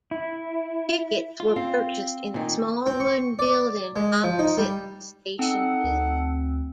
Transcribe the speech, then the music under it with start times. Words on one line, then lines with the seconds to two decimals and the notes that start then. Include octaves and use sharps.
Tickets were purchased in the small wooden building opposite the station building.
0.11 E4
1.40 F4
1.56 C4 F5
2.34 A#2 D#3
2.86 C4
3.00 C#6
3.39 D5
3.96 G#3
4.24 F3
4.39 D#4
4.57 G3
5.39 C4 D#4 A4 F#5
5.84 D2